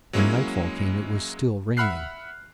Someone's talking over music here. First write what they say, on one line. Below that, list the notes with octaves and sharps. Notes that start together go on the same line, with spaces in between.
When nightfall came it was still raining.
F#3 G#3 A#3 C#4 E4
E5 F#5 B5 F6 F#6 C7